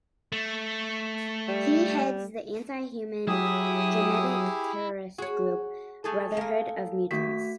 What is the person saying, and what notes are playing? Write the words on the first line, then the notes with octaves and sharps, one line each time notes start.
He heads the anti-human, genetic terrorist group Brotherhood of Mutants.
A3
G3
F#3 E4 G4 G#4 D#6
F#4 G#4 C#5
A3 G#4 A4
A#3 A#4
D#3 A3 F#4 B6